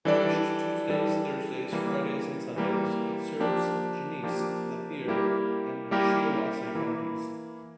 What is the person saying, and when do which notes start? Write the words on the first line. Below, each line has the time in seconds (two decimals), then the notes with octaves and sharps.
Published Tuesdays, Thursdays, Fridays and Sundays, it serves Genesee, Lapeer and Shiawassee Counties.
0.05 E3 G3 D4 A4 D5
0.88 E3 G3 D4 A4 D5
1.72 E3 G3 A#3
2.56 E3 G3 A#3
3.40 F3 A#3 D4 G4
4.23 F3 A#3 D4 G4
5.08 G3 A#3 E4 G4 A#4
5.91 G3 A#3 E4 G4 A#4
6.75 E3 A#3 E4